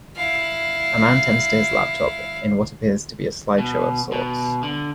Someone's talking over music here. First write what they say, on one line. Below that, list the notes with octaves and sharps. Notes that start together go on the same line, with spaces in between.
A man tends to his laptop in what appears to be a slideshow of sorts.
E4 F5
B2
B2
D3